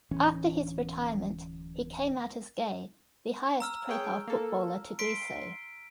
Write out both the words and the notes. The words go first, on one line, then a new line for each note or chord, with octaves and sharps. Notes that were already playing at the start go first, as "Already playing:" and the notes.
After his retirement, he came out as gay, the highest-profile footballer to do so.
D1 E3 C#4
A#5 E6 F6
G#4 C#5 G5
A#3 A4
C6 B6 D7